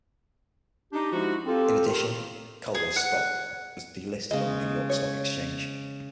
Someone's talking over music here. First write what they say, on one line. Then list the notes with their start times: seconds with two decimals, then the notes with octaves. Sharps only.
In addition, Caldor's stock was delisted on the New York Stock Exchange.
0.93 D4 D#4 G4
1.13 F3 G#3 D#4 E4 F#4
1.46 C4 F4 G4 A4
1.86 D#3
2.75 G#4
2.96 F#5
4.31 C#3 G#3 D#5
4.90 C#5